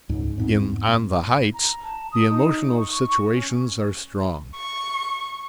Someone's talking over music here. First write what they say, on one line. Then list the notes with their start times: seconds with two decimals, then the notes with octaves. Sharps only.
In 'On the Heights' the emotional situations are strong.
0.09 C#2 G#2
0.38 E2 G#2 C4
1.08 E4
1.53 A#5
1.83 A5
2.12 D#6
2.28 D#4
2.78 C#6
3.31 C#4
4.55 C#6